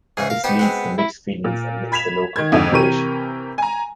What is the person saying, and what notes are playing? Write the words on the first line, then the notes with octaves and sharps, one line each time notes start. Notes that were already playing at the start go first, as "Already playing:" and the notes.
This leads to mixed feelings amidst the local population.
G#2 C#3 E3 G#4
A#4 F5
B3 D#4 G4 C5
G#3 C4 F#4
E4
A#2
B5 G#6 B6 E7 F7
D#3 G#6
F2 G#2 D3
C3 E3 G4 A#4 C#6 D#7
G#5 A#5